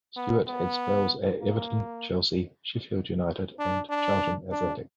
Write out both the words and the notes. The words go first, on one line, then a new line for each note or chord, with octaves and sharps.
Stuart had spells at Everton, Chelsea, Sheffield United and Charlton Athletic.
B3
B3
A#3
D4
D4
D4